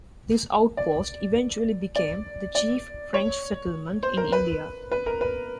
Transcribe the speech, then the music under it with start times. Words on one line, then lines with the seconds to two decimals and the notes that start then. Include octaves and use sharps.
This outpost eventually became the chief French settlement in India.
0.77 D5
1.96 D5
2.55 D5
3.14 C#5
4.03 C5
4.17 A#4
4.32 B4
4.92 B4
5.06 A#4
5.21 B4